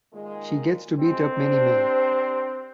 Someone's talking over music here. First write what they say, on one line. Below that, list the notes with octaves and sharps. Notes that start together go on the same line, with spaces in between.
She gets to beat up many men.
A#2 D#3 G#3
G#2 B2 G#3 C4
D4 G4 C5